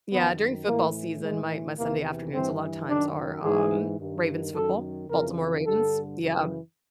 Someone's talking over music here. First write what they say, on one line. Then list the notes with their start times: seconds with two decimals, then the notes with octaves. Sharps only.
Yeah, during football season, my my Sunday afternoons a lot of times are um, Ravens football, Baltimore Ravens, yeah,
0.12 F#2 D#3 B3
0.67 A2 E3 A#3
1.22 A2 E3 G#3
1.77 E2 C3 E3 A#3
2.33 G2 E3 C4
2.88 F#2 D#3 D4
3.44 G#2 E3 G#4
3.99 G2 D#3
4.54 F#2 D#3 A4
5.09 F2 C#3 E3 A#4
5.64 G2 D3 A4
6.20 F#2 C#3 E3